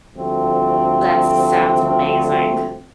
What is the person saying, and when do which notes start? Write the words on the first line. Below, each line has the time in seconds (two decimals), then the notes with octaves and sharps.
That sounds amazing.
0.17 D2 F3 G3 A3 C4